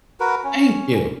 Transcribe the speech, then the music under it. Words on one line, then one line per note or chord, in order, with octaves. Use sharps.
Thank you.
F#4 A#4 B4
C#4